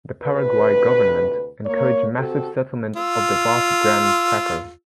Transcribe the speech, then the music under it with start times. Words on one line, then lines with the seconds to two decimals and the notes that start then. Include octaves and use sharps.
The Paraguay government encouraged massive settlement of the vast Gran Chaco.
0.23 D2 C3 B4
1.66 A#3 C#5
2.18 C4 F#4 G4 A4
2.96 F4 E6